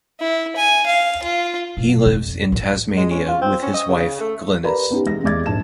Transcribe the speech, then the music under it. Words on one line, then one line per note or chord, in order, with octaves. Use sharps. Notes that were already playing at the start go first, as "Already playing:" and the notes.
He lives in Tasmania with his wife Glynis.
E4
G#5
F5
F4
F#2 B2
F2 G3
A1 C#4
G#3
C#4
F4
C4
C#4
D#5
C#3
A3
G4 A#4 B4 D5 A#5 B5
B3 C#4 D#4 G4
F1 E3 G#3 A#6
E2 G#3 D5 D6 G#6 A6
A#1 G#2 A5 E7